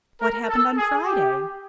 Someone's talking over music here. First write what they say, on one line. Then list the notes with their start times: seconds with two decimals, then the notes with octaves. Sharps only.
"What happened on Friday?"
0.21 A#4
0.49 A4
0.76 G#4
1.05 G4